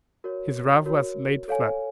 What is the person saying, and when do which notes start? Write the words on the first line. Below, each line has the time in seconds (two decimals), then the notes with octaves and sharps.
His ruff was laid flat.
0.24 F#4 A#4 C#5
0.86 F#4 A#4 C#5
1.48 A4 C#5 F5 G#5